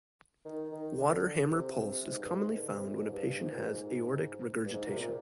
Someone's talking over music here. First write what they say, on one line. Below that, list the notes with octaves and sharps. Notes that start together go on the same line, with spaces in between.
Water hammer pulse is commonly found when a patient has aortic regurgitation.
D#3
D#3
D3
C3
C3
G#2
G2
G#2
D#3
D3
C3
A#2
G#2
G2
G2
G#2
A#2
G#2
G2
G#2
A#2
C3
A#2